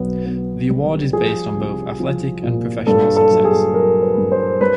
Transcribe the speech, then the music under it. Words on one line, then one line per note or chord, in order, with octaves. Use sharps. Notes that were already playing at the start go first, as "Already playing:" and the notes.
The award is based on both athletic and professional success.
Already playing: B1 B3
B3
G3
F3 G#4
C2
F3
A#2
G2 A4
A4
F#3
G#4
F#3 A#4
B4
G2
C5
G3 B4